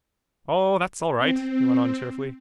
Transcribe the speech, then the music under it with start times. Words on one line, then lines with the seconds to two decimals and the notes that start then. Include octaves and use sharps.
"Oh, that's all right," he went on cheerfully.
1.18 C4